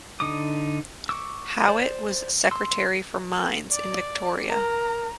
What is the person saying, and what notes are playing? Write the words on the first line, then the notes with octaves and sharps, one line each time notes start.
Howitt was Secretary for Mines in Victoria.
D3 D#4 D6 D#6
C#6 D6 E6
C5 D5
C6 E6
D5
A#4 A#5